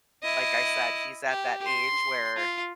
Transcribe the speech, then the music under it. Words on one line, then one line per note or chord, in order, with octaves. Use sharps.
like I said, he's at that age where
E4 D#5
G4
C6
F4